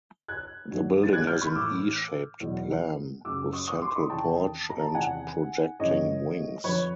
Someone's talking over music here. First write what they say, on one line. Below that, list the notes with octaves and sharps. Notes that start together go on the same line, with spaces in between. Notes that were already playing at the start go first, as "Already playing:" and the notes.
The building has an E shaped plan with central porch and projecting wings.
F#6 G#6
G2 D#3 F#3
A6
F#6 G#6
F6 G6
B5 C#6
A2 E3 D6 E6
E2 B2 F#3
F#2 C#3 F#3 D6 E6
C#6 D#6
C#6 D#6
C6 D6
B5 C#6
E2 C3 D#3 G5 A5
A#5
A5
E2 C3 D#3 F#5 G#5
F#2 C#3 E3 C#5 D#5
F2 D3 F3 B4 C#5